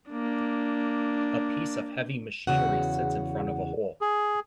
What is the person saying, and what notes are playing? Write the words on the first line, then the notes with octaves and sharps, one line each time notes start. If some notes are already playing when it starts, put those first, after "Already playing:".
A piece of heavy machinery sits in front of a hole.
A#3 D4
E2 C#3 F#4 F#5
G#4